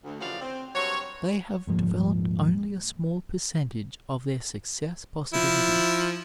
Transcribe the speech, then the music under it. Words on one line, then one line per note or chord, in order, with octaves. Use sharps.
They have developed only a small percentage of their success possibilities.
D2
C#3 E3 F3 F#4 D5 F5
C4
G2 F#3 C5 C#5
D#1 G#2 F3 A#3
F3 E4